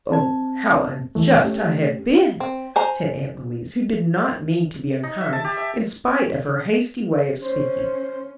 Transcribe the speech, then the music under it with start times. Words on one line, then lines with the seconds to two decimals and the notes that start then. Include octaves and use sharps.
"O, how unjust I have been!" said aunt Louise, who did not mean to be unkind, in spite of her hasty way of speaking.
0.11 C4 A5 G#6
1.15 D#2 E3 A3
1.44 A3 C#4 G4
2.40 C4
2.76 C5 G#5 A#5
5.03 D#4
5.21 E5
5.33 A5
5.44 G4
5.57 E5
7.42 C#4 C5